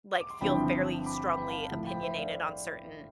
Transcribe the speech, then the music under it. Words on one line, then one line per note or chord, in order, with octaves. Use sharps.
like, feel fairly strongly opinionated on certain
D6
C6
G1 G2 F3 C4 E4 G5 B5
B5 D6
G5 B5
F5 A5
A2 F3 A3 E4
G5 B5
C5 E5
D5 F5